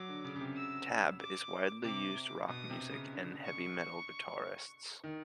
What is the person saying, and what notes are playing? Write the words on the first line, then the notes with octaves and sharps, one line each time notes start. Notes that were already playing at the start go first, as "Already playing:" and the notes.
"Tab" is widely used rock music and heavy metal guitarists.
Already playing: F#3 D6
D3
C#3
C#3
C3
E6
D6
C3 D6
B2 D#6
C3
C#3
D3
C#6
D#3